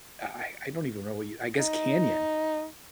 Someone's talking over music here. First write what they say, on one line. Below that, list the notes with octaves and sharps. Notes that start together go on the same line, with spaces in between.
I I don't even know what you I guess canyon.
D#4